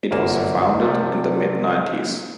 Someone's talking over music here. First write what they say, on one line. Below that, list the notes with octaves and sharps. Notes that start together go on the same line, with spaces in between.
It was founded in the mid-nineties.
G1 C2 F#2 A#3 A5
C2 C3 F3 A3